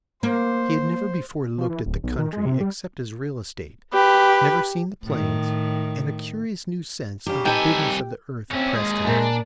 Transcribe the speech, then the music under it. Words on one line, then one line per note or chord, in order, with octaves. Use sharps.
He had never before looked at the country except as real estate, never seen the plains, and a curious new sense of the bigness of the earth oppressed him.
A#3 C5
F3
E3
D1
B1
D#3
G#3
C3
G3
G4 B4
A2 D#3
G2 C#3 G4
C2 D#4 A4 B4 G5 G#5
C4 C#4 E4
D#2 G#3 G#4
A#2 A3 C4 G#5
D4